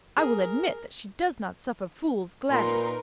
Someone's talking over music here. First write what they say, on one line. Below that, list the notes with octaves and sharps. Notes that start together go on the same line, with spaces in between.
I will admit that she does not suffer fools gladly.'
G#4 A#4
A#2 D#4 A#4 B4 C6